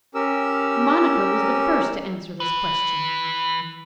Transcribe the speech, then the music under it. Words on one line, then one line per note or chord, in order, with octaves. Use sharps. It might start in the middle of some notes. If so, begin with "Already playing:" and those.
Monica was the first to answer this question.
C#4 G4 A#4 E6
E3 B4